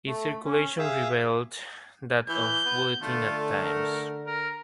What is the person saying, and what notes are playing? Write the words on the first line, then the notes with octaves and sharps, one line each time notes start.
Its circulation rivalled that of the "Bulletin" at times.
A3
C#4
G#4 E5 F5
E3 G6
B3
D3 A3 F4
A#4
A#4